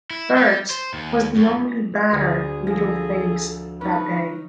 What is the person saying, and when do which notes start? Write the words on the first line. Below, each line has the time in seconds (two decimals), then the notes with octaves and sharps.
Wertz was the only batter Liddle faced that day.
0.11 E4
0.36 G3
0.70 C5
0.94 D#2
1.36 F#2
2.12 D2 G#4
2.67 F3 G#4 A4 A#6
3.81 C#4 D#4 B4